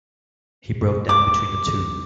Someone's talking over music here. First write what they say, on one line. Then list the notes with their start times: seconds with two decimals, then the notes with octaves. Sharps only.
He broke down between the two.
1.09 D6